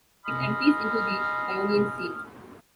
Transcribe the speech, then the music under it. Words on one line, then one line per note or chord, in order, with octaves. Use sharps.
It empties into the Ionian Sea.
D#5 G#5 B5 C6 D#6 F6